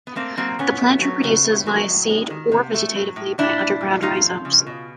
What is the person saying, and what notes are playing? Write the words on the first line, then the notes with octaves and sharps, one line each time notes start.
The plant reproduces via seed or vegetatively by underground rhizomes.
B3
A3 A#3 C4
F#3 A#3 C4
A#2 B3 C#4
A3
F#3
C#3
A3
F#3
A2
G#3
D#3
C3
A3
F#3
A2
A#2 D4 E4
G3
A#2
A3 D#4 F4
F3
C#3
B2